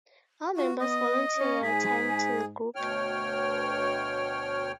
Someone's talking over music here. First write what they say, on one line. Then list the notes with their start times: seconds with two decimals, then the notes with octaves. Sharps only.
All members volunteer their time to the group.
0.57 F4 F#4
0.80 B3 D#5 D#6
1.36 C#4 C#5
1.63 G#2 G#4 G#5 B6
2.75 D2 B2 C#5 G5 F6